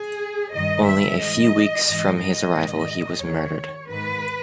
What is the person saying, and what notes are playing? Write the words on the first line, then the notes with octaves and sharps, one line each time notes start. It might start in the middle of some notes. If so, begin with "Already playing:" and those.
Only few weeks from his arrival he was murdered.
Already playing: G#4
G2 D#3 D#5
E5
G#2 E3 D#5
G#2 E3 D#5
D#5
G#2 D#3
D#2 D#3 C#5
G#2 D#3 B4